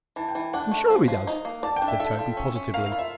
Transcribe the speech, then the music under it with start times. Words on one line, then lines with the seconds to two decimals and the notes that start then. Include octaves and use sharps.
"I'm sure he does," said Toby, positively.
0.16 E3 A5
0.28 G5
0.35 E3
0.53 D4 F#5
0.71 A3
0.90 F3
1.08 F3
1.27 D#4
1.45 A#3
1.63 D5 A5
1.76 G5
1.82 D4
1.88 E5
2.00 A4 E5
2.19 F4
2.37 C#4
2.56 C#4
2.74 A#4 F5
2.86 F5
2.92 F4
2.99 E5